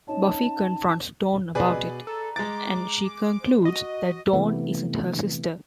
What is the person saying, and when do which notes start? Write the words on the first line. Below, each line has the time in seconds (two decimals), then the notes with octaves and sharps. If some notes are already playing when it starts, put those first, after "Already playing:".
Buffy confronts Dawn about it, and she concludes that Dawn isn't her sister.
0.07 C#4 D#4 C#5 A5
1.55 B2 G#4 B4 D5 D#5
2.07 A4 A#5
2.36 G#3 D6 A6
3.41 C5
3.65 F#4 D#5
4.33 C3 E3 A3 B3